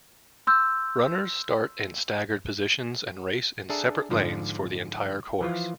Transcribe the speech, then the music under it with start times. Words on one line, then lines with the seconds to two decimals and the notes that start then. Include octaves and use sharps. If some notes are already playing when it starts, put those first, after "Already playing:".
Runners start in staggered positions and race in separate lanes for the entire course.
0.47 C6 E6 G6
3.69 D4 G#4 A4 E5 A#5
4.10 G#2 D3 F3
5.41 E3 F3 F4